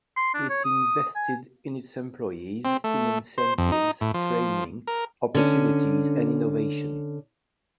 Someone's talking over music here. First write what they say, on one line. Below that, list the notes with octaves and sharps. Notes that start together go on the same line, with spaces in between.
It invested in its employees in incentives, training, opportunities, and innovation.
C6
D4
C#5
D#6
G#5
C4
A3
C5
F2
D#4
A2
F3
A#4
D3 C#4